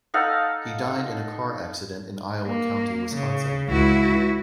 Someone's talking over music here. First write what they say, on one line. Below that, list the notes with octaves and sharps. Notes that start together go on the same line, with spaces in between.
He died in a car accident in Iowa County, Wisconsin.
D#4 A4 F5 F#5
A#3
C#3
C#2 E4 F#4